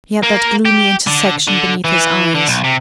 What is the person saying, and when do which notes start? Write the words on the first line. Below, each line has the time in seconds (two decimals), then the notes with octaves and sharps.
He had that gloomy intersection beneath his eyes.
0.23 A#3
0.65 G4
1.07 D3
1.48 D3
1.84 E3
2.35 D3
2.48 B1
2.64 C3